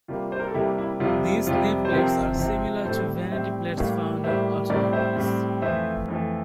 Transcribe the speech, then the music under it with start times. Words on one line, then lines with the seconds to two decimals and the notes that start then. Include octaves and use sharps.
These nameplates are similar to vanity plates found on automobiles.
0.08 C3 G3 A#3 F4
0.32 C5
0.40 A#4
0.47 A4
0.54 C3 G3 A#3 E4 G4
0.78 E4
1.00 F2 C3 G3 F4
1.24 F4
1.47 F2 C3 G3 F4
1.85 C5
1.93 C3 F3 C4 G4 A#4
2.39 C3 F3 C4
2.85 A2 G3 C4 A4 C5
3.32 A2 G3 C4 C5 E5
3.77 A2 G3 A#3 D5 F5
4.24 A2 G3 A#3 C5 E5
4.70 A2 G3 C4 A#4 D5
4.93 C5 E5
5.16 A2 G3 C4
5.62 F2 E3 A3 C5 E5
6.08 F2 E3 A3